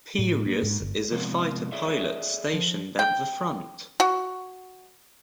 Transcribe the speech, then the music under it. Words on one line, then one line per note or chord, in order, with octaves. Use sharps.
Pirius is a fighter pilot stationed at the front.
A2
A#3
G#2
G1
C3 F3 G#3 B3 C4
G#4 A4 C#5 D5 E5
F3
G5
F#4